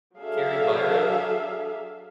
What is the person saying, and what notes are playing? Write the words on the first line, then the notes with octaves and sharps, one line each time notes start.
Carrie Byron,
F#3 D4 G#4 A4 E5 F5